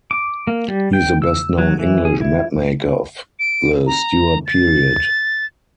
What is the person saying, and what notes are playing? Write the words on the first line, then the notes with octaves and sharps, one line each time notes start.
He is the best known English mapmaker of the Stuart period.
D6
A#3
G3
G5
E6
F#3
E3
G#4
E4
D7
A#5
A6